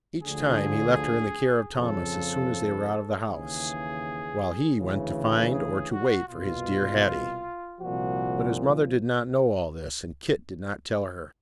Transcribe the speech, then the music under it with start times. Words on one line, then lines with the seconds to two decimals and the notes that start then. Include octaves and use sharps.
Each time he left her in the care of Thomas as soon as they were out of the house, while he went to find or to wait for his dear Hattie. But his mother did not know all this, and Kit did not tell her.
0.23 D2 D3 F3 G#4
1.74 F2 C#3 F3 A4
3.26 D#2 C#3 E3 G#4
4.77 D2 C#3 E3
5.52 G#4
5.91 F#4
6.28 C2 B2 F4
7.79 C2 A#2 F3 F#4